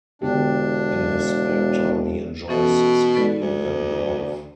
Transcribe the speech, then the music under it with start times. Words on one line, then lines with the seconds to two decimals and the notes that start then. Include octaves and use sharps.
In his spare time he enjoys skiing and golf.
0.22 E1 D3 B3 D4 G4
2.48 B2 E3 C#4 A4
3.17 A4 B4 D5
3.39 D2